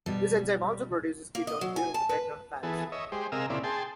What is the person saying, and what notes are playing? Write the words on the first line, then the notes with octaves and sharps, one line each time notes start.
This enzyme also produces ketones during the breakdown of fats.
B2 G3 A4
A#3
D#5
F#3
G#5
A5
B4
E3 B3 G#4 A4
C#5 D#5 E5
G#3 G4 C5
C3 G#4 A#4 D#5 F5 E6
A#2 C#3 C4 E4 D5
G#4 G5 A5 C6